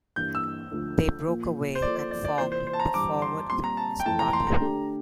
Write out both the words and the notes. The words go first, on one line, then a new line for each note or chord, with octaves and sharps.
They broke away and formed the Forward Communist Party.
G2 E3 A#3 G6
E6
D2 D3 F3
A#2 F3 A#3
C5
F3 A#3 F4 A4 D5
D5
D5
D5
C3 E3 A#3 F4 C5
C5
C5
A5
A#5
G2 E3 G3 D6
C6
A#2 G3 C4 C6
A#5
A5
G5
F2 E3 A3 E4 A5
A#5
C6
A#5
D3 A3 D4 G4